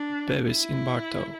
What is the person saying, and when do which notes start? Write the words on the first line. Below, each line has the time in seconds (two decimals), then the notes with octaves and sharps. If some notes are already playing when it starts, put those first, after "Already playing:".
Bevis in Bartow.
Already playing: D4
0.49 E4